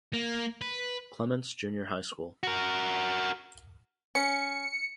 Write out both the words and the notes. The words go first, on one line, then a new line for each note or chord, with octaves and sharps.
Clements Junior High School.
A#3
B4
F#4 A#4
C#4 C#7